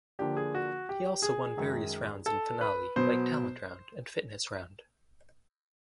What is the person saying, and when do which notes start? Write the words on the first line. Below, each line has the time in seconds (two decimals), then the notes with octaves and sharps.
He also won various rounds in finale like talent round and fitness round.
0.19 D3 F3 A#3 D4 G4
0.37 G#4
0.55 F#4
0.89 G4
1.22 G#4
1.57 F#2 D#3 G#3
2.26 A4
2.61 B4
2.96 B2 F#3 B3 C5